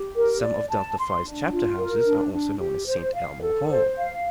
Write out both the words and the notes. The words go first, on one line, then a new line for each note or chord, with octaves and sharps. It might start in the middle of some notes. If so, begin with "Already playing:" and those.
Some of Delta Phi's chapter houses are also known as "Saint Elmo Hall".
Already playing: G4
A#4
D5
A5
C6
D4
F4
A#4
D4
D4
G4
C5
F5
A4
C5
F5